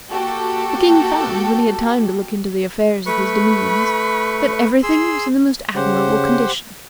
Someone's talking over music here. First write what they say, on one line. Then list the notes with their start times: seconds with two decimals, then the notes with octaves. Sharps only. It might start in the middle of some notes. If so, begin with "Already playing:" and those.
The King found, when he had time to look into the affairs of his dominions, that every thing was in the most admirable condition.
0.11 A#3 F#4 G4 A4
3.06 A3 B4 B5 C#6
4.83 G#4 C6 E6
5.75 C#3 G4 C5 F#5